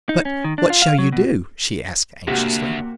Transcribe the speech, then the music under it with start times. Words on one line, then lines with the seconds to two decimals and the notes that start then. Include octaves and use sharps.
"But--what shall you do?" she asked anxiously.
0.09 D#4
0.25 C#4
0.44 D#3
0.58 D4
0.70 F4
0.82 F5
0.99 F#3
1.12 B2
2.28 D2 C3 A#3 F#4